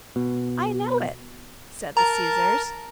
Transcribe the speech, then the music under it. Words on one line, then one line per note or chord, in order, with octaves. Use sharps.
"I know it," said the scissors.
B2
A#4 A5 A#5